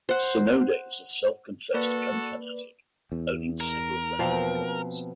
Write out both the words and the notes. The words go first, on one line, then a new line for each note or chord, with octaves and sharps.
Sonoda is a self-confessed gun fanatic, owning several replica guns.
C5 F#5
A#3 F#4 A4 B4 D5
E2
A#4
B2 F3 A#3 C4